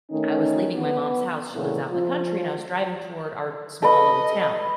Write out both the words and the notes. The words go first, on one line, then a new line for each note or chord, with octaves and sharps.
I was leaving my mom's house- she lives out in the country- and I was driving toward our small little town.
D#3 A3 C#4 D#4
B3
A#2 C#3 E3 A3 B3
F3 F4
A4 B4 D#5